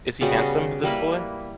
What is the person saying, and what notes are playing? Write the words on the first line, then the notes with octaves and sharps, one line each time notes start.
Is he handsome, this boy?
C#3 G3 B3 F#4
G3 A#3 E4 B4